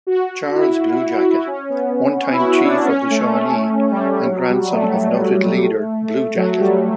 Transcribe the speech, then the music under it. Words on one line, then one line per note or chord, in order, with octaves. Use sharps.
Charles Bluejacket, one-time chief of the Shawnee and grandson of noted leader Blue Jacket.
F#4
E4
C#4
B3
C#4
E4
F#4
D4
C#4
A3
A3
A3
G3
F#3
G3
A3
F#3
G3